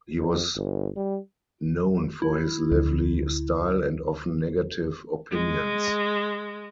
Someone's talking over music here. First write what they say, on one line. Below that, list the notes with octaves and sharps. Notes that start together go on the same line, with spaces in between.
He was known for his lively style and often negative opinions.
F2
G1
G3
E4
D2
G#3